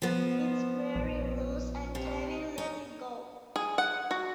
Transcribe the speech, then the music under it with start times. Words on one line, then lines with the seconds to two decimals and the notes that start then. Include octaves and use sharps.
It's very loose, and Kevin let it go...
0.02 F3 B3
0.95 A#1
1.95 C3
2.58 D#4
3.56 G#4
3.78 F#5
4.11 F#4